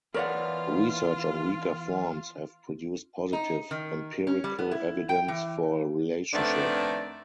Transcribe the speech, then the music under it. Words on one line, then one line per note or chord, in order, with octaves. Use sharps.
Research on weaker forms have produced positive empirical evidence for a relationship.
E2 F4 A#4 B4 C#5 D5 F5 F#5
D#4
D#3
C#4
G3
B3
E4
G5
E3
F2 D#3 A3 B3 D4 D5